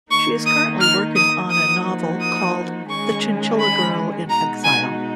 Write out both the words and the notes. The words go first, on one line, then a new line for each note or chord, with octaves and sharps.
She is currently working on a novel called "The Chinchilla Girl in Exile".
D#3 A#3 D#4 C#6
D#6
F6
D#6
F3 A#3 D#4 F#4 D#6
D#6
D#3 G#3 C#4 G#4 C#6
B5
B2 G#3 D#4 F#4 A#5
G#5